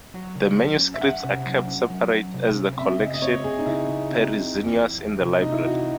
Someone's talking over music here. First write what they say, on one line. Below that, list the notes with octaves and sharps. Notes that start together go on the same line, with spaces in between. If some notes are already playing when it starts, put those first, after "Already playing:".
The manuscripts are kept separate as the Collection Perizonius in the library.
F#3
C#3
F#3
C#4
E5
C#4 F#5
C3
F#3
C#4
F#3
F#3
C3
C#4
C4 E5
C#3 D#5
D#5
C4 C#5
C4 G#4
D#4
C#3 E4
C#3
C4
C4
E2
E2
E2
C3
C3 D#4
E4
E3 F#4